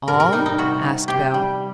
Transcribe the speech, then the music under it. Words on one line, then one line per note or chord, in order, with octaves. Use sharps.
"All?" asked Bell.
C3 A#4
A#4
G3 D#4
D#4
C3 F#4
C3
C3 G4
G3